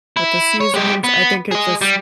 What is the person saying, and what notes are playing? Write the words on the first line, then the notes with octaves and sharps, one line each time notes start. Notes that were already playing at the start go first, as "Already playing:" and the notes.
with the seasons. I think it just
E4
C#5
G#3 G4
B3
G#4 D#5
G3